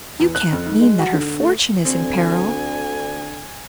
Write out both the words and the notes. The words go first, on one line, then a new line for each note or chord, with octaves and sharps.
"You can't mean that her fortune is in peril?"
E2
F#6
F2
D#3
G#3
F#4
D3
A3
D2 D3 C4 G#5